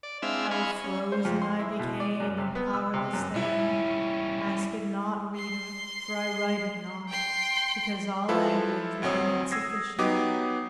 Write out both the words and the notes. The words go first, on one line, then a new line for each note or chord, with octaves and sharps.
How frozen I became and powerless then, Ask it not, Reader, for I write it not, Because all language would be insufficient.
D5
G#3 C4 D4 E4 E5 F5
D#5 F5 G#5 B5 C#6
C#4
C5
F2
C6
E4
B2
D5
F#2
C3
B3
E6
C3
F#2
G3 C#4 E4
C6
G5 C6
F3 E4 F4 A4 B4
A1 D2 F#3 C4 C#5 D#6
D#6 E6 G#6 A#6 C7
F#3 B3 D#4 G4 D6 D#6